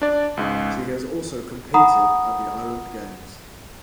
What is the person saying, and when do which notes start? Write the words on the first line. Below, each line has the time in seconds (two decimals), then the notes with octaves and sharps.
She has also competed at the Island Games.
0.02 D4 D5
0.37 C#2 G#2
1.74 F#5 A#5 B5 D#6